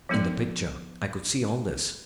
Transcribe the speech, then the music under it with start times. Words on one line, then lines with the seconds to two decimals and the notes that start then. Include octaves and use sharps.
In the picture I could see all this.
0.09 F3 G#3 B3 D#4 A4 D5